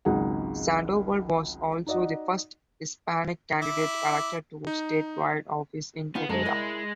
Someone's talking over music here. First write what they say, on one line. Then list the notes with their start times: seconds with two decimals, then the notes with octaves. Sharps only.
Sandoval was also the first Hispanic candidate elected to statewide office in Nevada.
0.05 G#1 C#2 F#3 D#4 G#4 F#5
1.87 D#4 F#4 D5 D#5 F#5
3.62 E4 D6
4.67 D#4
6.15 B3 C#4 D#4 F4
6.29 F#2 G#3 A4 A#5
6.45 E4 A#4 D5